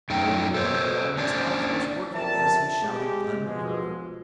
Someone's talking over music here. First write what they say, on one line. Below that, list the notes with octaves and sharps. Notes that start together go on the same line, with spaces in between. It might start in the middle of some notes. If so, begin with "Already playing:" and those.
Olvir Nikkolon's mouth was working as he shouted unheard.
F#2 A3 D#4 G5
A4 C5 C#5
C#4 D4 C5 D5
F2 G4 A#4 D5 E5 A5
G#3 G4
B2 F3 G#3